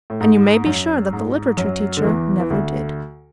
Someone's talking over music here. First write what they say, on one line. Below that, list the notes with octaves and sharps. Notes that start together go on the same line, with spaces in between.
And you may be sure that the literature teacher never did.
A2
G#2
F#2
G#2
F#2 F#3
D3
E2 E3
E3
D2 D3